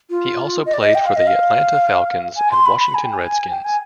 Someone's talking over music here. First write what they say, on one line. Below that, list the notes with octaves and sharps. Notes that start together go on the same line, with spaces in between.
He also played for the Atlanta Falcons and Washington Redskins.
F4
D#5
D5
D#5
G5
F5
D#5
F5
G#5
C6
B5
B5
G#5
G5
G#5
G5
G#5